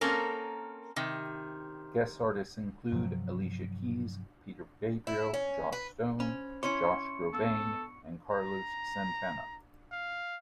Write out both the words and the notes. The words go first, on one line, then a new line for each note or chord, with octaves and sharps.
Guests artists include Alicia Keys, Peter Gabriel, Joss Stone, Josh Groban and Carlos Santana.
A#3 C4 C#4 A4 A#4
C3 D#3
G2 C3 F3 F#3
E4
C#4
B4
C#4 C5 B5
C#4 E4 C#5 C6 C#6 C#7
B3 A4 E6
A#5
F5